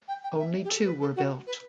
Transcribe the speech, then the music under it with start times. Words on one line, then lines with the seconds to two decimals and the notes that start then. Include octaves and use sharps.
Only two were built.
0.08 G5
0.24 G5
0.39 E5
0.64 G4
0.70 A4
0.85 B4
1.01 A4
1.16 F#4
1.47 B4